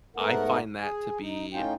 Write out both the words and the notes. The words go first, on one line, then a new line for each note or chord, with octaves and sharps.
I find that to be
G#2 A3 B3 A#4 F#5
G#4
D#4
A2 C#4 D#4 F4 G5